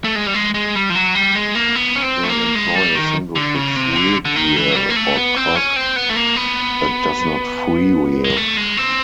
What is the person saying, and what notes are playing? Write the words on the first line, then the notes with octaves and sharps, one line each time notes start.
They employ a single fixed rear gear, or cog, that does not freewheel.
A3
G#3
G3
G#3
G#3
G3
F3
F#3
G3
G#3
A#3
B3
C#4
C4
A3
A#3
G#3
G3
D#3
D3
C#3
C3
D3
D3
D#3
E3
F#3
G3
A#3
A3
B3
C4
C#4
C4
B3
A3
A#3
B3
G#3
A3
G#3
C4